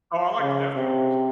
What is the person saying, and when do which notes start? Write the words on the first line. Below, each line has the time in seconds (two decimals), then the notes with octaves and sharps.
Oh, I like the Deftones.
0.41 C#3
0.75 C3